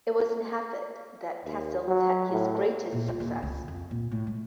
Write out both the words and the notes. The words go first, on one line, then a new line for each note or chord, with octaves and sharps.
It was in Hartford that Cassels had his greatest success.
D#2
F#3
A2
A#2
F4
D#2
C#2
F2
A#2
A2
G#3